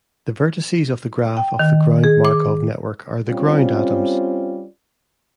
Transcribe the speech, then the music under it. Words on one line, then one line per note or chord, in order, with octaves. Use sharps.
The vertices of the graph of the ground Markov network are the ground atoms.
G5
D#3
G#4
D6
G3 C4 C#4 F4